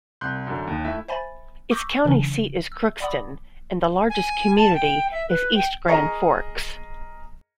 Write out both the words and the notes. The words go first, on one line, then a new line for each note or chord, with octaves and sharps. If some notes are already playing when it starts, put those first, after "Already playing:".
Its county seat is Crookston, and the largest community is East Grand Forks.
C2 C6 F#6 G6
F#2 D3
D#2
A3 E4 E5
C5 E5 G#5 B5 A6
C#6 D6 E6 G6 A#6 B6
C#3 E3 F#3 C#4 D4
E6
D5 F#5 B5 D6 D#6
G#5
A5
G5
E5
B4
G5
G#4 A#4 D#5 A#5 C#6